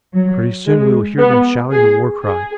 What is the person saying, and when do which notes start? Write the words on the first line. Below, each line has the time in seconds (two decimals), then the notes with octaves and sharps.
Pretty soon we will hear them shouting the war-cry.
0.14 F#3
0.67 G#3
1.18 B3
1.71 G#4
2.23 G#4